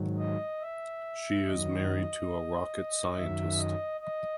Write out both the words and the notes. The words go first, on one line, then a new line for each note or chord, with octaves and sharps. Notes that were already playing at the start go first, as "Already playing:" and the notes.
She is married to a rocket scientist.
Already playing: G#2 D#3 F#3
D#5
E5
F#2 D#3 F#3 D#5
F#2 D#3 F#3 E5
D#5
D#5